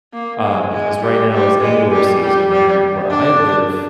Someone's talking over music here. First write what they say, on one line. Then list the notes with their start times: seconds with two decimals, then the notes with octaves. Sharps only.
uh, because right now is indoor season and where I live,
0.13 A#3
0.43 G#3
0.72 G#3
1.02 G3
1.32 G3
1.61 G#3
1.92 G3
2.22 G3
2.50 G3
3.10 D4